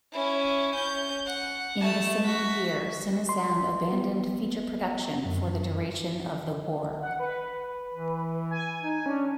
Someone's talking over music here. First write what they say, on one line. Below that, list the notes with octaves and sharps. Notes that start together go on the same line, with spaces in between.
In the same year Cinesound abandoned feature production for the duration of the war.
C#4 E4
C#4 G6
F#5
A3 A5
F#4 B6
C6
B3
F#2
F#5
B4
E3
G#5
D#4
C#4 D4